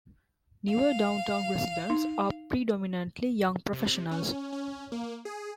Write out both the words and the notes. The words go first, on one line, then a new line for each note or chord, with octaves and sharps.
Newer downtown residents are predominantly young professionals.
F5
D#4
C3
C#4
C#4
A#3
G#4